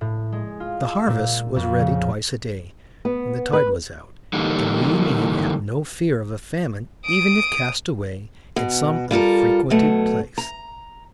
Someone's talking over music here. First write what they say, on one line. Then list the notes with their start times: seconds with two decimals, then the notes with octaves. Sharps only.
The harvest was ready twice a day, when the tide was out, and we need have no fear of a famine even if cast away in some unfrequented place.
0.01 A2
0.32 G#3
0.60 F4
0.87 E6
1.07 A#2
1.56 F2
1.79 C#3
3.05 B3
3.53 B4
4.33 D3 E3 G3 A#3 D4 D#4
7.06 D#6 D7
8.56 B2
9.11 G3 F4 A4 A#4
9.70 B2 F#3 A3
10.38 A#5